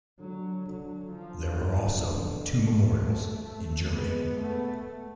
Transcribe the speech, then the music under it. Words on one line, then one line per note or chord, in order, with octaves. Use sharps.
There are also two memorials in Germany.
D3 F#3
D3 F#3
D3 F3
B2
A3
G#3 B3
A3 B3